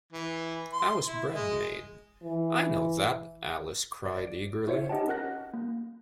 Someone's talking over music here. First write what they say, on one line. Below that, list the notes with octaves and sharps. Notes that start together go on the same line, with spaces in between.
How is bread made? ‘I know that!’ Alice cried eagerly.
E3
C6
E4
G#3
E3
D5
D7
E4 F#4 C5 C#5 E5 C#7
D#4 G4 D#5 F#5 G5 A5
C#4 F#4 A#4 F#5 F#6 A#6
A#3